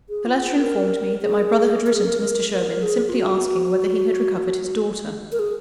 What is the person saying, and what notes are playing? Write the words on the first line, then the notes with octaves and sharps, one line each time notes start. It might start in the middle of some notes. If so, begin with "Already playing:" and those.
The letter informed me that my brother had written to Mr. Sherwin, simply asking whether he had recovered his daughter.
G#4
F4
A#4
G#4
A#4
G#4
A#4
A#4
G#4
F4
F#4
A#4
G#4